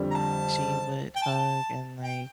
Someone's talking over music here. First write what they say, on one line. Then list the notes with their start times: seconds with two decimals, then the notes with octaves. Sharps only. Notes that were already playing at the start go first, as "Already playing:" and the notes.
like, she would hug and, like,
Already playing: F2 D3 G3
0.11 A#5
0.15 A5
1.16 G5
1.22 A5
2.03 G5